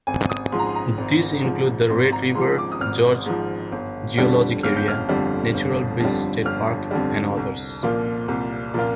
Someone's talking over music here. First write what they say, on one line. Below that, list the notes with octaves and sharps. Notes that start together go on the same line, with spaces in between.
These include the Red River Gorge Geologic Area, Natural Bridge State Park, and others.
G#1 G#5
D#6
G#2 F3 C6
A#5
C6
A#5
G#1
G#2 F3
G#1 C6
A#5
G#2 F3 C6
D6
D#6
G#1 F6
G#2 F3
G1
F2 D3 G3
G1 F6
G6
F6
F2 D3 G3
G1
F2 D3 G3
G1 F6
F2 D3 G3
C2
A#2 F3 A#3 F4
C2
A#2 F3 A#3 F4